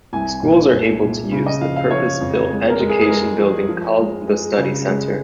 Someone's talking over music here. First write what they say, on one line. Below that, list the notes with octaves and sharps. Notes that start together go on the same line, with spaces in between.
Schools are able to use the purpose-built education building called the Study Centre.
C2 G#5
A#2
A#2
A#2
C#3
D#5
F3 F5
F5
F3 C#5
F2
G#3
A#4
G#3
G#4
G#4
G#3 A#4
F3
F3
G#3
G#3
C#3
G#3